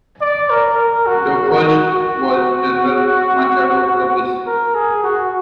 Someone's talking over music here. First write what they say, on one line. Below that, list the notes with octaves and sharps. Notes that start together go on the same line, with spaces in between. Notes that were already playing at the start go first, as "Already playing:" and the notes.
The first was General Machado Lopes.
D5
A#4
A#4
F#4
F#4
F#4
A#4
G#4
F#4